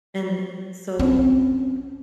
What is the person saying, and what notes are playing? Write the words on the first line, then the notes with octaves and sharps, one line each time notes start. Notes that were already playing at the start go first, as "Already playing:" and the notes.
And so,
C4 C#4